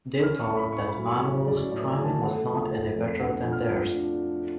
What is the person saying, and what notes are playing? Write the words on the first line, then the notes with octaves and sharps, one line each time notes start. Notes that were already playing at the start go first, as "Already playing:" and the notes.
They thought that Manuel's driving was not any better than theirs.
C#4 F6
C#6
A2
B5
A2 C#6
B5
F#3
C#6
C#4
F#3 D5
A2 D5
G#5
A2
A5
A3 F#5
F3
A3
F2
D4 F#5
F3
F6
F3
D4